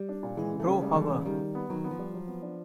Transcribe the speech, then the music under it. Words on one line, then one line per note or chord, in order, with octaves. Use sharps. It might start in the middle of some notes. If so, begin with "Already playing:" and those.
Pro Hour.
Already playing: G3
D4
A#2
E3 G#3
C#3
A3
C#3
G3 G#3
E2
C#3
D#3 G3
D#3
B3
D#3 F#3
B3
F3
G3
F#3
B3
D4